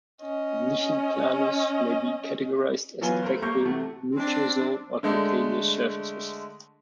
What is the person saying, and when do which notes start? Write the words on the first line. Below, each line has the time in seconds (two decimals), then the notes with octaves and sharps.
Lichen planus may be categorized as affecting mucosal or cutaneous surfaces.
0.21 C#4 D#5
3.01 E3 F#3 B3 F4 G#5 G7
3.23 A3 E4 A#4 C5
3.42 G3 A#3 F5 A#5 C#6 G6
3.63 C3 E3 A3 F#4
4.14 C4 D4
5.03 D3 G#3 A3